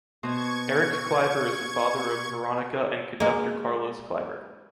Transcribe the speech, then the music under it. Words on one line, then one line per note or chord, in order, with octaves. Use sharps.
Erich Kleiber is the father of Veronika and conductor Carlos Kleiber.
B2 C5 C#6 G#6
G#3 A#3